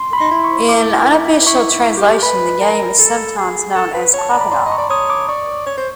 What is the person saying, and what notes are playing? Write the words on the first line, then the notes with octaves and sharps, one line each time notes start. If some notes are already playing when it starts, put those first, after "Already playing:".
In unofficial translations, the game is sometimes known as "Crocodile".
Already playing: C6
B5
D#4 C6
E4
C#6
D6
E4 C#6
E4
G4
B4 B5
A#4
A4
G#4
A4
B4
C#5 A5
D5 A#5
B5
D5 C6
D#5
C#6
D5
C#5 D#6
D6
D5 C#6
C#5
C5